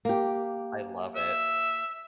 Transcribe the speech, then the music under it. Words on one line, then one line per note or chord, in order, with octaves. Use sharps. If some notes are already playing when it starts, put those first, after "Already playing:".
I love it.
A#3 G4
E5